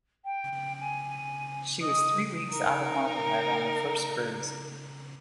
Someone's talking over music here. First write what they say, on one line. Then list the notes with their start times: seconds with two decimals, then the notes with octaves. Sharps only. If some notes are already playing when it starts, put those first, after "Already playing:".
She was three weeks out of Marblehead on her first cruise.
0.25 G5
0.80 G#5
1.82 D#5
2.51 D#4 A#4